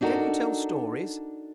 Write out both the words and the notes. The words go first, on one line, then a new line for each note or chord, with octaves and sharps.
'Can you tell stories?
D4 D#4 F#4 A4 A#4